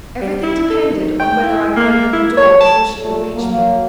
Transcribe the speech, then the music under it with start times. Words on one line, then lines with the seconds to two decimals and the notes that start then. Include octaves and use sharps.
Everything depended on whether I could open the door before she could reach me.
0.22 G3
0.43 E4
0.70 A4
0.90 D#3
1.20 G5
1.43 E4
1.76 A#3
2.13 E4
2.37 C#5
2.60 A5
2.98 A#2 A3
3.36 F#3 A#3